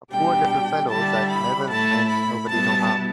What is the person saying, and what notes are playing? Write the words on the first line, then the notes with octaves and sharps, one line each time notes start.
A poor little fellow that never meant nobody no harm!
B2 G3 D4 G5
D3 G3 E4 A5
B5
A2 A3 E4 A5
B5
B2 G3 B3 E4 A5